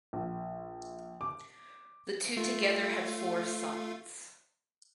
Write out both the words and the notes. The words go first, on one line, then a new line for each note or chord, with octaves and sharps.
The two together had four sons.
A#1
D6
A3 F4